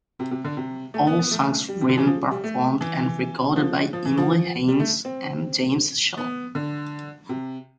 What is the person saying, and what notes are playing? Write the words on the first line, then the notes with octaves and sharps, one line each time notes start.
All songs written, performed and recorded by Emily Haines and James Shaw.
C3
C3
D3
C3
A3
B3
B3
A3
G3
C3
D3
E3
F3
G3
A3
E3
F3
F3
E3
F3
G3
A3
C4
B3
D3
C3